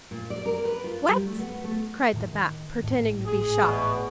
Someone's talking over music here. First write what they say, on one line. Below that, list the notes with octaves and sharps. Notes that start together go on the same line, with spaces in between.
"What!" cried the Bat, pretending to be shocked.
A#2
D5
A#4
B4
F4
G3
A3
B3
A3
A2 D#3
D#3
G#1 A2
G#4
E2 B2